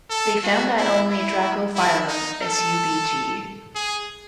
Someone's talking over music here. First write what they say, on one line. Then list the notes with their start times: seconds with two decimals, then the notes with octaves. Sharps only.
They found that only "Dracophyllum" subg.
0.10 A4
0.44 F#4
0.77 E4
1.09 E4
1.76 E4
2.08 D#4
2.42 A4
3.75 G#4